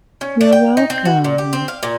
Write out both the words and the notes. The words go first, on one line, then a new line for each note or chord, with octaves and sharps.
You're welcome.
C#4
D4
G5
D#4
C4
F#4
A#2
G4
C4
F5
A#2